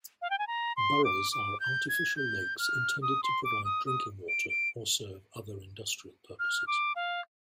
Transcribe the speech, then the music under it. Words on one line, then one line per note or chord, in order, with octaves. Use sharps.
Boroughs are artificial lakes intended to provide drinking water or serve other industrial purposes.
F5
G5
G#5
A#5
C6
D6
D6
G6
G#6
G6
F6
D#6
C6
D6
D#6
D#6
D7
D7
F6
D6
F5